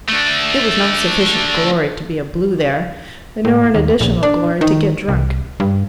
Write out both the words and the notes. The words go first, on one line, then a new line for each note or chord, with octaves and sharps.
It was not sufficient glory to be a Blue there, nor an additional glory to get drunk.
A3 D4
A2
D#2
A#1
D4
D#3
C2
G2